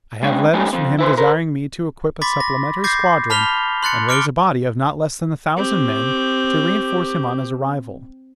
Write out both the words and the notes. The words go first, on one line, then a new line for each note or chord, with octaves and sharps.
I have letters from him desiring me to equip a supplementary squadron and raise a body of not less than a thousand men to reenforce him on his arrival.
G#3 C#4 D4
G#3 A3 C#4 D#4 G4 G#4
F3 C4
E4 B4 C5
A#4 C5
B5 C6 D6 A6 B6
A#6
D6 G6 A6 A#6 C7
A5 B5 F6 B6 F7 G7
C6 F#6 A6 C#7
D6 F6 C#7 D7 G7
C4 G4